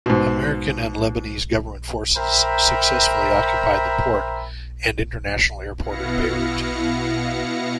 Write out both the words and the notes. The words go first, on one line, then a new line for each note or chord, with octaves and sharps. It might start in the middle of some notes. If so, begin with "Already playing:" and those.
American and Lebanese government forces successfully occupied the port and international airport of Beirut.
G#2 B2
A#4 C5 E5 G5 A#5 B5
B2 B3 E4 F5 A#6 C#7